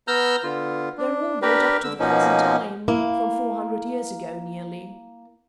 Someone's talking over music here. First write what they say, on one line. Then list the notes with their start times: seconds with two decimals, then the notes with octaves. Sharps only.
"They're all brought up to the present time--from four hundred years ago, nearly."
0.08 B3 A#5 E6 F6 G6
0.43 D3 B3 F4
0.97 D4
1.42 D4 G4 A#4 B4
1.84 D3 E6
1.99 B2 F3 A#3 C#4 D#4
2.88 A#3 E4